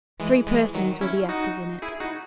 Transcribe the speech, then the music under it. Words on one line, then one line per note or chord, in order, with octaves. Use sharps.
Three persons were the actors in it.
E3 G#3
E3 G#3
D#3 F#3
C#4 E4
D#4 F#4
E4 G#4
D#4 F#4